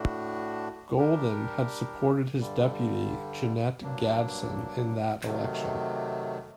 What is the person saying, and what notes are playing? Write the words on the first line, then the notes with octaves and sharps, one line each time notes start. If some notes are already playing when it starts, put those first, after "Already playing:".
Golden had supported his Deputy Jeannette Gadson in that election.
Already playing: A2 A3 D4 F#4
G3 D4 G4 A#4
G2 D3 G3
G2 F#3 A#3 D4
C3 D#3 F#3 A3